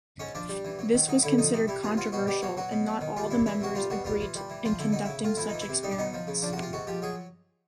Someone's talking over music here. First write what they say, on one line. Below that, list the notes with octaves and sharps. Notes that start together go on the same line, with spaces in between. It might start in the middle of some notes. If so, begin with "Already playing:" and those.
This was considered controversial and not all members agreed in conducting such experiments.
G#2 C#4
F3 D4
G3
E3
F#3
D#3
F#3 D#4
D3 E4
F3 D#4
C3 D#4
G3 E4
E3 F4
F#3 F4
B2 F#4
G3 G4
E3 F#4
F#3 F#4
B2
F#3
D#3
G3 F4
A#2 E4
E3 E4
C3 F#4
G3 F4
B2 F#4
G3 F4
E3
G3
E3
F3 F4
D3 E4
F#3 D#4
C#3 E4
A2 F4
F3 E4
E3 D#4
E4
C3
G3 D#4
D4
B2 D#4
F3
C#3
F3 D4
F#4
C3
F4
G#2 F#4
F3 G4
F#3 G#4